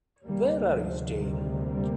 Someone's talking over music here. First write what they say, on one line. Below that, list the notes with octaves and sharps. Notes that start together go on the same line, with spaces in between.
Where are you staying?
D2 C3 G3 A#3
F3 G#3
D#3 G3
G3 A#3